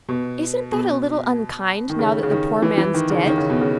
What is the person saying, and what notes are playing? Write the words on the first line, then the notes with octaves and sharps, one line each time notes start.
"Isn't that a little unkind now that the poor man's dead?"
B2
B2
D#3
C#3
C#3
D#3
E3
E3
D#3
C#3
D#3
C#3
B2
C#3